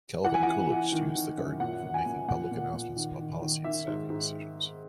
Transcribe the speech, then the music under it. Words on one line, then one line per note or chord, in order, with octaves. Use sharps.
Calvin Coolidge used the garden for making public announcements about policy and staffing decisions.
E3 F#5
G#5
E3 F#5
E3
D#3
D#3
F#2
A#2 F#5
A#2
G#5
A#2
A#2 F#5
A#2
A#2
D#3
D#3
D#3
D#3 E5
G#2
G#2